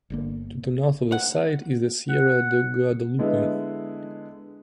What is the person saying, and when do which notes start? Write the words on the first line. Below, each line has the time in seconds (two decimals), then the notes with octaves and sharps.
To the north of the site is the Sierra de Guadalupe.
0.10 G1 D3 A#3
1.12 F#5
2.09 F#5
3.19 D3 G#3 B3 E4